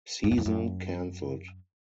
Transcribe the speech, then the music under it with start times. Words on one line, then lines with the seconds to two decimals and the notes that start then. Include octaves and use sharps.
Season canceled.
0.24 G2
0.31 F#2
0.38 F2
0.46 F#2